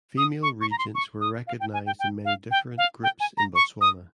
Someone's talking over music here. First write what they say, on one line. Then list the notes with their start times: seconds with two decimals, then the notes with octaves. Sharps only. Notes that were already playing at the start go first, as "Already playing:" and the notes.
Female regents were recognised in many different groups in Botswana.
0.18 D#6
0.43 C#6
0.61 C#6
0.71 A#5
0.79 C6
0.95 C#6
1.21 D#6
1.47 F5
1.60 G5
1.73 G#5
1.86 G5
1.99 G5
2.25 F5
2.51 G5
2.78 F5
3.03 G5
3.20 G#5
3.37 A#5
3.55 C#6
3.81 D#6